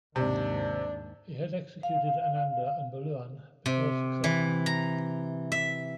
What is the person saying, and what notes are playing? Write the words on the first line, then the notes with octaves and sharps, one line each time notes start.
He had executed Ananda and Bulughan before succession.
D#2 G#2 C3 D4
F5
C3
E3
A#5
E5